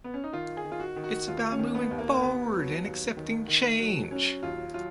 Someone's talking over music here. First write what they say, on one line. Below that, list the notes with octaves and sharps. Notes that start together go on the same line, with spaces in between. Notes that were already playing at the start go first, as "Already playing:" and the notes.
It’s about moving forward and accepting change.
B3
C#4
D#4
D#3 F4
G#4
D#3
F4
F#4
D#3
F#4
D#2 F4
C#4
D#3
B3
D#2
A#3
D#2 B3
F#3
D#2
D#3
D#3
F#3
F#3 C#4
D#2 F4
F#3 F4